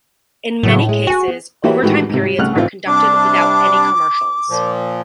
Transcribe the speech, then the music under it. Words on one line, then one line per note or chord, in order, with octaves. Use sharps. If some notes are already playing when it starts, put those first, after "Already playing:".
In many cases, overtime periods are conducted without any commercials.
A2 C#3 F#3 B3
G#3
F#4 G5 G#5
B3
E3 A#3 F#4 G4 C#5 E5
A2 D#3 E3 G#3 F#4 G4
G#2 C3
G3
C2 C#3 A3 F#5 F6 F#6
A1 D#3 E3 C4 F4
C3 G3 D4 D6
A#2 F3